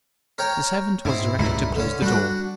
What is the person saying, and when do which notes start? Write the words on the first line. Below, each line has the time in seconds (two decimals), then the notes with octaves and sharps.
The servant was directed to close the door.
0.38 A#4 C#5 G5
1.05 G#2 C4 E4
1.39 C#2 G2 A#2 E4
1.75 D3 C#4
2.02 G3 D4 F#4